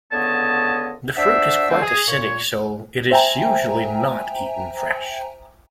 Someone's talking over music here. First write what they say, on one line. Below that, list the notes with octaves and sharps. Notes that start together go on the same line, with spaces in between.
The fruit is quite acidic, so it is usually not eaten fresh.
C#2 D3 B3 C#5 D#5 A5
D4 F#4 C5 E5
D3 A3 C4
G#4
A#2 C#5
C5 E5 G5 G#5 A#5